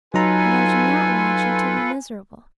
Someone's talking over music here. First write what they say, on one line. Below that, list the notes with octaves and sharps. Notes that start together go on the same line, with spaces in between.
And I do not want you to be miserable.
F#3 D#4 F4 A4 B4 G#5 A#5